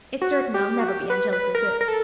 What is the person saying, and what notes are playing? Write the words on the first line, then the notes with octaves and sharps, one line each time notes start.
It's certain I'll never be angelically good.
F#4
G4
F#4
G4
B4
B4
A#4
A#4
A4